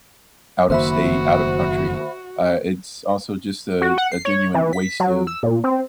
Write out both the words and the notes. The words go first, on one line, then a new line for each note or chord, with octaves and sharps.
out of state, out of country. Uh, it's also just a a genuine waste of,
F#1 D#3 A#3 F#4 C5 E5 B5
F#4
F#5
C7
C#5
E3
B6
F#3
E6
A#2
C4